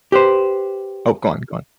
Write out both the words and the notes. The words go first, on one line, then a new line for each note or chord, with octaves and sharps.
oh, go on, go on.
G4 B4 C5